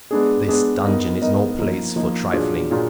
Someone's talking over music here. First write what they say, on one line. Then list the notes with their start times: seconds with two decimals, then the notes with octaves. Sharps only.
This dungeon is no place for trifling.
0.11 G#3 B3 D4 G#4
0.48 G#3 B3 D4 G#4
0.85 B3 D#4 A#4 D#5
1.21 B3 D#4 A#4 D#5
1.59 F3 A#3 D#4
1.96 F3 A#3 D#4
2.33 A#2 F#3 D4 F4 G#4
2.70 A#2 F#3 D4 F4 G#4